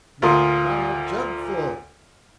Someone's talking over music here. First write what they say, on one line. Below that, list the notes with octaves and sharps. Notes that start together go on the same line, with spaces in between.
"Not by a jugfull!"
D2 A#2 F4 A#4 C6 D#6